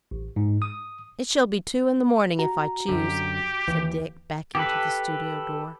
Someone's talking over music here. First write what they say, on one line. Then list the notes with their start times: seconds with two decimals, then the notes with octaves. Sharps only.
'It shall be two in the morning, if I choose,' said Dick, backing to the studio door.
0.11 A1
0.36 G#2
0.62 D#6
2.39 F#4 A#5
2.89 F#2 D3 G4
3.68 D#2 E3
4.55 G4 A4 B4